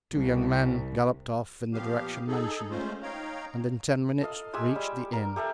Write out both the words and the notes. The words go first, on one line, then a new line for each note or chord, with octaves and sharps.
The two young men galloped off in the direction mentioned and in ten minutes reached the inn.
C2
A#2 F3 B3 G4 F5
D#4 G#4 A4
G#3 A3 C#4 F4 C5
D#4 C#5 F5 G5 A#5
A4 D#5 F5
G#3 G4 G#5 E6
G3
A#4
G4 A4 E5 F5